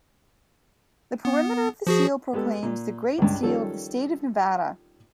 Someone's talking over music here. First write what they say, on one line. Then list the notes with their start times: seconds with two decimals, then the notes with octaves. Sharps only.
The perimeter of the seal proclaims "The Great Seal of the State of Nevada".
1.25 B3
1.87 F3 F#4 G#4
2.33 G#3 B3 G4 A4
2.63 A#2
3.18 C#2 G2
3.43 D#3 F3 G3 C#4 A4